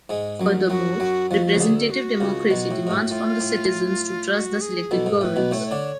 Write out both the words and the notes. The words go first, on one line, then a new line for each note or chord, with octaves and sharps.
Furthermore, representative democracy demands from the citizens to trust the selected governments.
G#2 G#3
F#2 F#3
F4
F#2 F#3 F#4
F#2 F#3
F2 F3 F#4
F#4
C#3
D2 D3 G#4
A4
F#4
C#2 C#3
B1 B2
A2
G#2
A2
A2 F4
A2
F#4
G#4
B1 B2 A4
G#2
A2 B4
B1 B2
A2 A3 C#5
B4
C#5
D3 D4